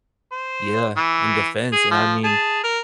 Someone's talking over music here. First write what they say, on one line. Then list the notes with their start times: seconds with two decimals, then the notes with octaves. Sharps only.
Yeah. In defense, and I mean,
0.32 C5
0.97 E3
1.73 G#4
1.91 F3
2.24 G#4 A5
2.64 A#4